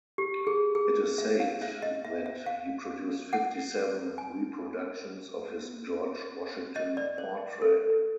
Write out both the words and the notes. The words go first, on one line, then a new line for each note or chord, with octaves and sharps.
It is said that he produced fifty-seven reproductions of his George Washington portrait.
G4
G#4
G#4
E5
F5
E5
D#5
E5
E5
F5
F#5
G#5
D#5
D5
C5
A4